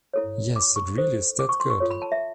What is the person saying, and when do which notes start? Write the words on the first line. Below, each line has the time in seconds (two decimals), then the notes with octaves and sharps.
Yes, it really is that good.
0.14 E4 A4 C#5
0.56 D6
0.76 C#6
0.98 E4 A4 C5
1.39 D6
1.49 C#6
1.60 C6
1.70 C#6
1.80 F4 A4 C#5
1.91 B5
2.02 A5
2.12 E5